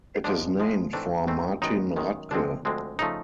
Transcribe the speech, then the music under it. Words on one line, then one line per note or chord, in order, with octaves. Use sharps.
It is named for Martin Rathke.
G#2 F3 G#3 D4
G#2 F3 G#3
G#2 E3 A3 C4 D4
G#2 E3 A3 C4
F#2 D#3 G#3 B3 D#4
F#2 D#3 G#3 B3
D2 D3 F3 G#3 C4 D4
D2 D3 F3 G#3 C4
C#3 F3 A3 D#4